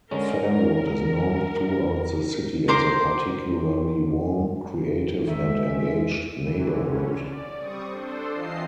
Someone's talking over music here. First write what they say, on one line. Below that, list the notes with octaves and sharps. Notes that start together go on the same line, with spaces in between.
Fernwood is known throughout the city as a particularly warm, creative, and engaged neighbourhood.
D3 G#3 C#4 A#4
A#4 C5 C6 D6
D#3 G#3 E5
C3 E3
D3 C#4
D5
G3 C4 C#6 D#6
D4 A4 C5
E3 C4 F4 D#5 A5 C7